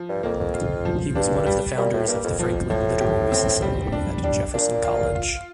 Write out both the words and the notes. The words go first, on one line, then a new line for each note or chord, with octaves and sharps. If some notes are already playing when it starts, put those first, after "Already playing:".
He was one of the founders of the Franklin Literary Society at Jefferson College.
Already playing: F3
G2
F2 A#3
F2
F4
F3
G2 D4
G3
A#2 G3
A2
G2 A#3
F2
F2 F3
A2 F3
G4
C4
G3
D4
G3 D4
A#2 D4
F4
F4